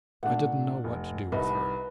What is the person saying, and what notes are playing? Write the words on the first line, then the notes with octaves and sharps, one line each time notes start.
I didn't know what to do with her.
A#2 A3 D4 F#5
F1
C2 D#4 B4